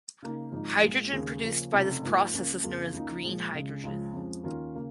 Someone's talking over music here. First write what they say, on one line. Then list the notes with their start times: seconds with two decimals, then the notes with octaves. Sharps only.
Hydrogen produced by this process is known as green hydrogen.
0.22 C#3 A#3 D#4
0.52 G#1 G#2 F3 G#3 D#4
0.83 A#1 A#2 G#3 F4
1.13 D#2 C#3 A#3 C#4 G#4
1.42 C#3 F3 A#3 C#4
1.73 F1 F2 C#3
2.03 G#2 F3 A#3 F4
2.34 C#2 C#3 A#3 C#4
2.63 F2 C#3 A#3 F4 G#4
2.94 C#2 C#3 A#3 D#4
3.24 A#2 F3 G#3
3.54 C#2 C#3 G#3
3.83 C#2 C#3 F3 G#3
4.13 F2 F3 G#3 C#4
4.44 D#2 D#3 C#4 F4 A#4
4.75 C#3 A#3